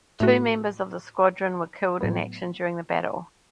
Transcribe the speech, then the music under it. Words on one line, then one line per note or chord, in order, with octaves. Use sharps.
Two members of the squadron were killed in action during the battle.
A2 A3 F#4
A2 F#3 B3